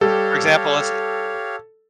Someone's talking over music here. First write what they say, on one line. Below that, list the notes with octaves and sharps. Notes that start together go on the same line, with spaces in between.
For example, is eh
G3 G4 A4 C#5 F5